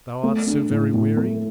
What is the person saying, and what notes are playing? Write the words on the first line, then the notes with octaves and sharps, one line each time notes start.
Thou art so very weary?
A3
D4
A2
A2
A3